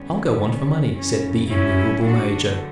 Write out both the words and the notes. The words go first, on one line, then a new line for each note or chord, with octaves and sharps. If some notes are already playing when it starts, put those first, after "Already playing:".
"I'll go on for money," said the immovable major.
Already playing: E2 D3 G3 B3 C#4
C#4
F#2 C#3 E3 C#4
C#4 E4
E2 D3 F#3 A3 D4 F#4